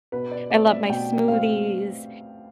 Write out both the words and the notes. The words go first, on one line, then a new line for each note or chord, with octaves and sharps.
I love my smoothies.
B2 B4
D5
A3 C4 D5
E5
B2 G5
A3 C4 F5